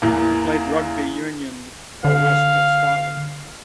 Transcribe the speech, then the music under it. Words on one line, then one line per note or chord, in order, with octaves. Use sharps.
He played rugby union for West of Scotland.
E2 E3 A#3
D3 F5